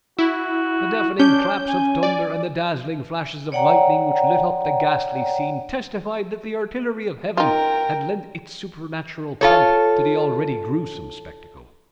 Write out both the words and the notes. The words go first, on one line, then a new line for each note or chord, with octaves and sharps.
The deafening claps of thunder and the dazzling flashes of lightning which lit up the ghastly scene testified that the artillery of heaven had lent its supernatural pomp to the already gruesome spectacle.
E4 F#4
C#4 D4 G6
G#5
D5
C#5 D5 F#5 G5 A#5
D#4 F4 A#4 G5
F4 A4 C#5